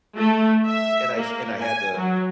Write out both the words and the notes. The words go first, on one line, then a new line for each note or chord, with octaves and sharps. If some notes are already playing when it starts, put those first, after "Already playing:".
and I s and I had to
A3
E5
A#3
G#5
F#3